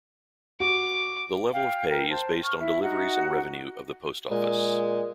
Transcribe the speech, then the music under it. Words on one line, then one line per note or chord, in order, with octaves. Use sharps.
The level of pay is based on deliveries and revenue of the post office.
F#4 D6
F5 G5
A#4 G5
C5 A5
C#6 F6
E4 E5
D#4 F#4 F#5 A#5
A#2 G#3